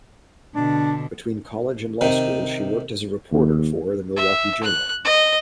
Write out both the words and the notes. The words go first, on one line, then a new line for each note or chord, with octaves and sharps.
Between college and law school she worked as a reporter for "The Milwaukee Journal".
B2 D3 D4
C3 D#3
D#2
E5
F#6
D#5